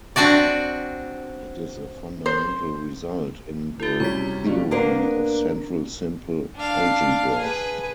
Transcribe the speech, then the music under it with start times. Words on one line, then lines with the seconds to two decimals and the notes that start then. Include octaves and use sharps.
It is a fundamental result in the theory of central simple algebras.
0.16 C4 D4 F#4 D5
2.26 C5
3.80 E4 F#4
4.00 C3 G3 C#4 A#5 G#6 B6
4.47 F3 G3 A#3 D4
4.71 A#3 B3 D4 A#4 C5
6.56 D4 F5
7.38 G#4 B4